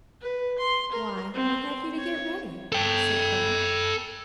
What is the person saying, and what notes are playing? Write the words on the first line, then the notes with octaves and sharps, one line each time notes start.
"Why, what have you to get ready?" said Clara.
B4
C6
A#4
C4
C#5
A4 G5